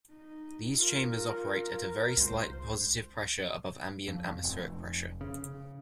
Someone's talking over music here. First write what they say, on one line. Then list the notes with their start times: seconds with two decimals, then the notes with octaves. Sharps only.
These chambers operate at very slight positive pressure above ambient atmospheric pressure.
0.10 D#4
0.75 F4 A#4
2.17 C#2 C5
4.08 F2
4.44 F1
5.21 C#3